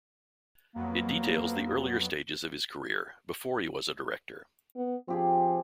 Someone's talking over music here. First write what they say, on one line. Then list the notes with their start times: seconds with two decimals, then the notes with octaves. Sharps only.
It details the earlier stages of his career, before he was a director.
0.75 F2 F#3 A#3 B3
4.76 B3
5.08 F3 C4 G4 G#4